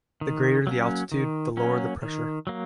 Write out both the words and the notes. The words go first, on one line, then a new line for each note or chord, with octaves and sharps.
The greater the altitude, the lower the pressure.
D#3
F#3 A#3 C#4
D#3
F#3 A#3 C#4
D#3
F#3 A#3